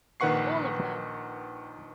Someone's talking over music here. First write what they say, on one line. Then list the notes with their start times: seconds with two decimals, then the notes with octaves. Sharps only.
All of them!
0.20 A#1 D#3 B4 F#5 C#6 C7